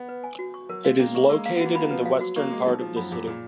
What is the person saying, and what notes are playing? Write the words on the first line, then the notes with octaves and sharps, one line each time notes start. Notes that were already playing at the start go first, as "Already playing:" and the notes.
It is located in the western part of the city.
Already playing: B3
B4
G#5
F#4
C#6
F#3 A#4
G#3 F5
A#3 C#4
A#3 C#6
G#3 A#4
A#3 F5
B3
A#3 F#4
A#3 B5
F3 B4
F#3 F5
F#4
A#3 C#6
G#3 G#4
F#3 D#4
F3 D#4
F#2 B5
F#2 G#4
A#2 G#4